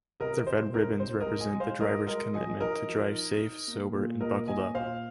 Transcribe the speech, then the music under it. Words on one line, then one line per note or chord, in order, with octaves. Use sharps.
The red ribbons represent the drivers' commitment to drive safe, sober and buckled up.
C3 A#4 D#5
C3 C5
D#4 A#4
C3 C5
A#4 D#5
G#3
D#5 G#5
G#3
C5 F5
G#3 A#4 D#5
G#3 A#4 D#5
F3 D#5 G#5
D#4 A#4 D#5
F3
D#4
D#4
A#3
A#2
A#2 A#4 D#5
A#2 D#5 G#5
A#2 C5 F5